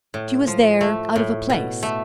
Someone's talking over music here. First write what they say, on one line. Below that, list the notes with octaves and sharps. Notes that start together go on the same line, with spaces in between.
She was there, out of a place.
A2
F3
A3
A2
B2
A3